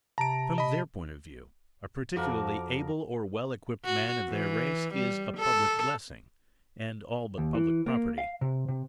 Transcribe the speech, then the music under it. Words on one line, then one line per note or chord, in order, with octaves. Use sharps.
From their point of view, a particularly able or well-equipped man of their race is a public blessing, and all but public property.
C3 A5 A#5 D7
D#5 B5
F2 F3 F#4 A#4 D6
F#4
E3
G3
A4
D#2
E3
A#3
F5
C3
C3